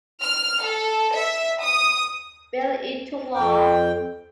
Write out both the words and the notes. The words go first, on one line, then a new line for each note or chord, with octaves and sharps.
Bill into law.
F6
A4
E5
D#6
F2 G5